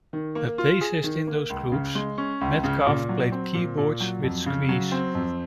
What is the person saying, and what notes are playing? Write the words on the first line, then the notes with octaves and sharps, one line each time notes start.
A bassist in those groups, Metcalfe played keyboards with Squeeze.
D#3
A#3
F4
G#4
D#3
A#3
C#2
C#3
G#3
C#4
C#2
C#3
A#2
F#3
C4
A#2
A#2
F#3
F2
C#3
F#3
C4
F2